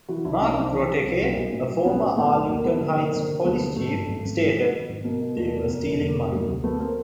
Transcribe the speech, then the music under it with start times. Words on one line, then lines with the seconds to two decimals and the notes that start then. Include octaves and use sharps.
Mark Groteke, a former Arlington Heights police chief, stated, They were stealing money.
0.09 E3 E4 F#4
0.25 C2 D4 E4
0.41 C2 C#4 D#4
0.57 C2 C4 D4
0.73 E3
0.89 G3
1.05 C2
1.21 B1 A#3 C4
1.37 B1
1.53 A2
1.69 F#3
1.85 B1 B3 C#4
2.01 A2
2.17 A2 A3 B3
2.33 B1
2.49 D#2 A#3
2.65 G3 A3 B3
2.81 D3 A#3
2.97 D3 A#3
3.13 D3 A#3 C4
3.28 D3
3.44 D#2 A3 B3
3.61 D3
3.76 G#1 A3
3.93 G2
4.08 G#1
4.25 G#1
4.40 G#3
4.56 D#3
4.72 D#3
4.89 G#1
5.04 B2 A#3
5.20 B2
5.36 E2 A3
5.52 F1
5.68 B2 A#3
5.84 F1
6.00 F1 A#3
6.16 B2
6.32 F#3 A#3
6.48 D2 A#3
6.64 F#3 A3 B3
6.80 A#3 C4